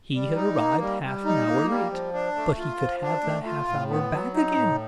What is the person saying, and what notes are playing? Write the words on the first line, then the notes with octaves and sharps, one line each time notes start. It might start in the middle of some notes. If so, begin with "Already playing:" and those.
He had arrived half an hour late, but he could have that half-hour back again!
G3
D#4
A#3
G3
G3
D#4
A#3
G3
F3
D4
A3
F4
F3
D4
A3
F4
A2
B3
F#3
D#4
A2